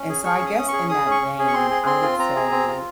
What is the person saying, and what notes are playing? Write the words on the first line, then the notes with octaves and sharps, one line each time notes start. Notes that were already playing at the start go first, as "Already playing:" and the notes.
and so I guess in that vein, I would say,
Already playing: C#4
G#4
G#4 C#6
C#4
D#6
C#4
G#4 C#6
G#4 D#6
C#4
C#6
C#4
G#4
C#6
C4 C6
G#4
C4 C6
F4
C4 A#5
G#4
C4
F4